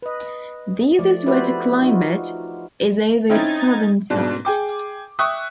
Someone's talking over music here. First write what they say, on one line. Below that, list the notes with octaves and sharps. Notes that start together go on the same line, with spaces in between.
The easiest way to climb it is over its southern side.
B4 D#5
F3 A3 D5
E4 F#4 G4 B4 C5 D5
D#4 F4 F#4
C4 C#4 D#4 E4 G#6 A6
G#2 B2 D4
G#4 G5 D6
E5 G5 C#6 D#6 F#6